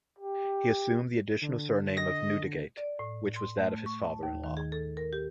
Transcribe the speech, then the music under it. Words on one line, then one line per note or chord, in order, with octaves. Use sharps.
He assumed the additional surname of Newdegate, which was that of his father-in-law.
G4
D3
D#5 A#6
D5
A2
C6
A3
C#6
A5
D#2
D#3
G#4
A4
A#4
G4